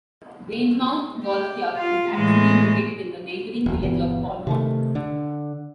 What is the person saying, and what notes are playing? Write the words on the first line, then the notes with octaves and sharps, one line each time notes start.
Grangemouth Golf Club is actually located in the neighbouring village of Polmont.
G4
F4
A2 E3 G#3
E1 D2
G1 B2 E3 B3
C3 D#3 A3
D3